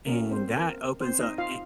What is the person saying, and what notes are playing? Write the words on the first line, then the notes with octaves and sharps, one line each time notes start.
And, that opens up eh
A#3 C#4 F#4 A#4
C4 C5
A#4
C4 C5
D#4 D#5
F4 F5